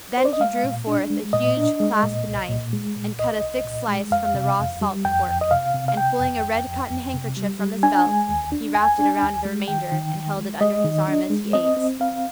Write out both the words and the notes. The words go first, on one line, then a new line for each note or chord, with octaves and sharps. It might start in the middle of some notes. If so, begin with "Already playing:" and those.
Then he drew forth a huge clasp-knife and cut a thick slice from the raw salt pork, and pulling a red cotton handkerchief from his belt, he wrapped it around the remainder and held it under his arm as he ate.
C5
D5
D#5
G#3 F5
A#2
D4
G#3
A#2 D#5
D4
G#3
A#2
C2
A#2
G#3
A#2
C2 D#5
C2
A#2
G#3
F2 F5
C3
F2
G3
F2 G5
F2
D#5
C3 F5
C3
F5
C3 G5
F2
F2
F2
F2
C3
G3
G3
D4 G#5
G#3
D#2
D4
D#2 G#5
D4
D#2
G#3
D#3 G5
D#3
D#3
G#3
G#3 D#5
D#3
D4
G#3
C4 D#5
C4
C4 F5